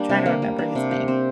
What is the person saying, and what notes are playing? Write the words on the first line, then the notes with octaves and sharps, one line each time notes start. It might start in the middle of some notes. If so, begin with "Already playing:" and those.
Trying to remember his name.
Already playing: G3 A#3 D4
C3
A#3
G3
D4
C3
G4
C4